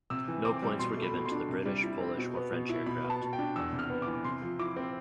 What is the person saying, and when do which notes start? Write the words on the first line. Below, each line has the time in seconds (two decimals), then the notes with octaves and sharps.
No points were given to the British, Polish or French aircraft.
0.10 C3 E6
0.28 E3
0.45 C4 D6
0.62 G3
0.79 B2 C6
0.97 A3
1.03 B5
1.14 B2
1.26 C6
1.31 D4
1.49 C3
1.66 G3
1.83 E4
2.00 C4
2.18 B2
2.35 B3
2.52 B2
2.69 E4
2.86 B2 B5
3.04 B3
3.10 A5
3.21 B2
3.33 G5
3.39 D4
3.56 E2 E6
3.73 C3
3.79 F6
3.90 B3
4.02 D6
4.07 E3
4.24 C3 C6
4.42 F3
4.59 E4 D6
4.76 C4